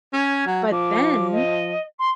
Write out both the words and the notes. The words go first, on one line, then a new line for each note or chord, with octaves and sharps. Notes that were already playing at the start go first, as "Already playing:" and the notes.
But then,
C#4 G#6
F#3
F3 D6
D#5
C6